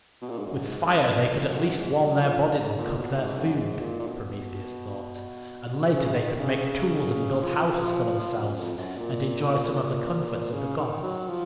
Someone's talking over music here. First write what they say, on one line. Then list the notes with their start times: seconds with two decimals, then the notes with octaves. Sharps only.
"With fire they could at least warm their bodies and cook their food," Prometheus thought, "and later they could make tools and build houses for themselves and enjoy some of the comforts of the gods."
0.22 B2
0.30 A#2
0.39 G#2
0.47 F#2
0.65 G#2
0.86 F#2
1.00 F2
1.04 F#2
1.24 F2
1.49 F#2
1.76 G#2
2.01 F#2
2.21 F3
2.52 F#2
2.59 G#2
2.78 A#2
2.97 B2
3.18 G#2
3.36 F#2
3.56 G#2
3.81 A#2
4.00 A#2
4.07 B2
5.88 C#3
6.13 D#3
6.39 C#3
7.42 F3
7.82 F3
8.20 F3
8.40 F#2
8.58 F2
8.78 F#2
8.97 A#2
10.52 C#3
10.77 D#3
11.03 F#3
11.28 F3